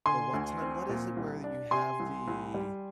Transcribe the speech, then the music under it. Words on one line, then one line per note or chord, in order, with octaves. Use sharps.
but one time What is it where you have the
D3 G#5 C6
D2
C4
A#2
C2
D4
C3 G#5 C6
C2
C2
G3